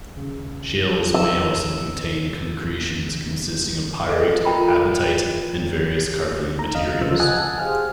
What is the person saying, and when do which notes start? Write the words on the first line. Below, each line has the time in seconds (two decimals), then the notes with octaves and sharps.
Shales may also contain concretions consisting of pyrite, apatite, or various carbonate minerals.
0.14 A#1 D#2 C#3
1.14 E6
4.09 A4 D#5
4.45 F4 A#4 G5 A#5 B5
6.59 A#5
6.75 E2 D#5 F5
7.01 D2 C#3 F3 F4 C5 E6
7.20 D#5 F#5 G#5 A5 D#6 F#6
7.41 G#5
7.59 G4 G#4 C5 F5 F6